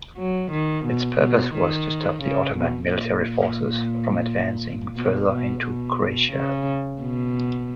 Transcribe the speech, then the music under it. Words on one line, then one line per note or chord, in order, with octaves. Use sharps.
Its purpose was to stop the Ottoman military forces from advancing further into Croatia.
F#3
D#3
B2
B2
D#3
C#3
B2
A#2
B2
B2
B2
C#3
B2